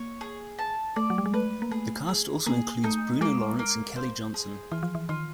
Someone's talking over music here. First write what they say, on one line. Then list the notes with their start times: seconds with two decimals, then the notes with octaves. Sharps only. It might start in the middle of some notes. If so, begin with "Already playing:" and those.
The cast also includes Bruno Lawrence and Kelly Johnson.
Already playing: A#3 C#5
0.21 G#4
0.59 A5
0.96 A3 D5
1.10 F#3
1.18 G3
1.26 G#3
1.34 A3 B4
1.62 A#3
1.71 A3 G#4
2.09 G#4
2.46 A#3 G#4
2.84 A3 D#4
3.21 G#3 A#3
3.59 A#3
3.96 C5
4.34 G#4
4.71 E3 F4
4.83 F3
4.95 E3
5.09 D#3 F4